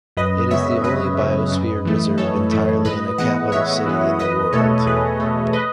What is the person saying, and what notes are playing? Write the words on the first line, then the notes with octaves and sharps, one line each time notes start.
It is the only Biosphere Reserve entirely in a capital city in the world.
F#2 B4 D#5
C#3 G#3 B3 C#5 E5
F#2 B4 D#5
C#3 G#3 B3
F#2
E3 A3
F#2 A4 C#5
E3 A3
A2 B4 D#5
E3 G#3 B3 D#5 F#5
A2 C#5 E5
E3 G#3 B3
E2 B4 D#5
B2 A3 A4 C#5
E2 G#4 B4
B2 A3
B4 D#5